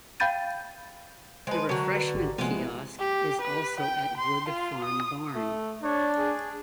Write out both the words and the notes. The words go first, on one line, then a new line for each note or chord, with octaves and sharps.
The refreshment kiosk is also at Wood Farm Barn.
F5 G5 B5 G6 A6 D#7
G#3 B4 C5 D#5 A5
D3 F#3 A#4 A5 C#6
B4
G#1 G4
C3 F3 G#3 A#3 B3
E4
G4
B4
G5
C6
F4
D#6
A3
D4 C#5
G#4